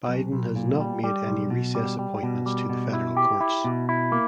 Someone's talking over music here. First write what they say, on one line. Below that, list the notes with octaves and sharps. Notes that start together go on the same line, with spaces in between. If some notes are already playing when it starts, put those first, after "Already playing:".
Biden has not made any recess appointments to the federal courts.
B1
B1
A#2
G3
G3
B1
B2
G3
G3
B2
G3
B2
E4
G4
E4
B2
E4
A#3